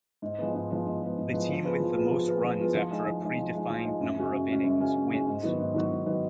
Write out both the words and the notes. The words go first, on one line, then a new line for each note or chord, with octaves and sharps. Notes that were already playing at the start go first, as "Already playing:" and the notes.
The team with the most runs after a predefined number of innings wins.
G#2
F3 G#3 B3
G#2
F3 G#3 B3
G#2
F3 G#3 B3
G#2
F3 G#3 B3
F3
B3 F4 G#4 B4
F3
B3 F4 G#4 B4
F3
B3 F4 G#4 B4
F3
B3 F4 G#4 B4
F3
G#3 D#4
F3
G#3 D#4
F3
G#3 D#4
F3
G#3 D#4
F#2
C#3 G#3 C#4 F#4
F#2
C#3 G#3 C#4 F#4
F#2
C#3 G#3 C#4 F#4
F#2
C#3 G#3 C#4 F#4
G#2
D#3 F#3 B3 F#4
G#2
D#3 F#3 B3 F#4
G#2
D#3 F#3 B3 F#4